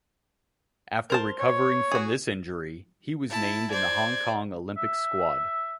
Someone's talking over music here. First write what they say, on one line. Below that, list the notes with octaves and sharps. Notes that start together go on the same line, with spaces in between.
After recovering from this injury, he was named in the Hong Kong Olympic squad.
A#4 C5 A5
C#5
F#4 G#4
E4 A5
C5 D5 G#6
E5